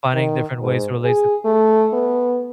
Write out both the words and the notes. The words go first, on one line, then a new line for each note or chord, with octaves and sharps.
finding different ways to relate to
D#3
G#2
G#4
A3
B3